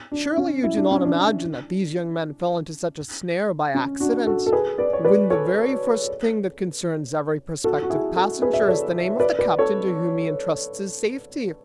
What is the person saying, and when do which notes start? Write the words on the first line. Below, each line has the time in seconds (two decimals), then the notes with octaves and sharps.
Surely you do not imagine that these young men fell into such a snare by accident, when the very first thing that concerns every prospective passenger is the name of the captain to whom he intrusts his safety!
0.12 D4
0.37 C#4
0.64 E4
0.77 D4
0.91 C#4
1.05 D4
3.75 C#4
4.00 D4 F#4
4.27 F#4 A4
4.46 A4
4.52 G#4 B4
4.78 B4 D5
4.93 C#5
5.05 B4 D5
5.30 A4 C#5
7.64 F#4 A4
7.82 F#4
7.90 E4 G#4
8.16 F#4 A4
8.42 G#4 B4
8.53 E5
8.60 D5
8.68 A4 C#5
9.20 B4 D5
9.39 B4 D5
9.59 A4 C#5